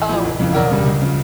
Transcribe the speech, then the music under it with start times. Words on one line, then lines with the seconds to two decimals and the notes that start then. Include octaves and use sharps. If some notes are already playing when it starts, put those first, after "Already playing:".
Oh, uh,
Already playing: A1
0.09 A2 F3
0.24 F1
0.40 F2 C#3 E3
0.55 E1 A#4 D5
0.70 D2 C#3 G3
0.86 C#2
1.02 C#3 F3